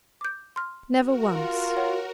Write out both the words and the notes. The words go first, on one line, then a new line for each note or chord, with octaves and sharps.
Never once!
D6 G6
C6 F6
F#4 A#4
F4
C#5 F#5